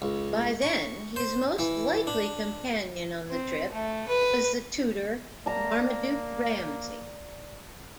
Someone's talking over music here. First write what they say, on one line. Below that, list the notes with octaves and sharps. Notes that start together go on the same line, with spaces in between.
By then his most likely companion on the trip was the tutor Marmaduke Ramsay.
C#2
C#6
C5
E3
D4
C4
A3
B4
A#3 D5 A5 A#5